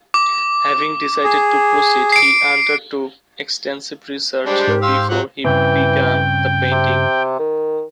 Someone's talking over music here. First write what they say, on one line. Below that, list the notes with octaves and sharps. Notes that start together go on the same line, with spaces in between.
Having decided to proceed, he undertook extensive research before he began the painting.
D6
G#4
C7 D7
G3 G#3 D4 G4 C5
G#2 A#4
F5 C6 E6
F#3 F4 F#5
G2 C#3 E3 C4 G5
C3
D#3